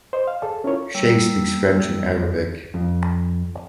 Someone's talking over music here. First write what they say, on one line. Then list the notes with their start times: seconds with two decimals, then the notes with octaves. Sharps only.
Shea speaks French and Arabic.
0.13 C5 D#5
0.28 F5
0.43 G#4 A4
0.64 C#4 E4 F4 A#4 C#5
0.95 G3 A#3 E6
2.74 F2